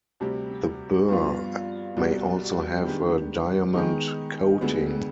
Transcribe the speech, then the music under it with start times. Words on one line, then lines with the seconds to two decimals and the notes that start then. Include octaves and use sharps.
The burr may also have a diamond coating.
0.20 D2 C3 G3 C4 G4
1.09 G2 F3 B3 F4
1.97 C2 B2 G3
2.85 D#3 G#3 B3 D4 G4
3.74 D#3 G#3 B3 D#4
4.61 D2 D3 G#3 B3